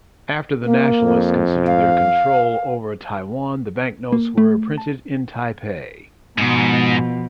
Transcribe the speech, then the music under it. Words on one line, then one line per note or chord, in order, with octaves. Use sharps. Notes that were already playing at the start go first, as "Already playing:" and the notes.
After the Nationalists consolidated their control over Taiwan the banknotes were printed in Taipei.
A#3
F2
F5
A#3
A3
A5
G#2 B2 F3